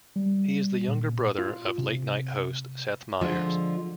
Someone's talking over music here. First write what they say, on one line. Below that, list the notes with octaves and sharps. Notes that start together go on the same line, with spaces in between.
He is the younger brother of "Late Night" host Seth Meyers.
G3
A#2
F4
C3
D3 F3 G#3